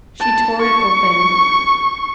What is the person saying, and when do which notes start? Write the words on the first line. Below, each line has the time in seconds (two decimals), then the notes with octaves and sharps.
She tore it open.
0.20 A5
0.62 C#6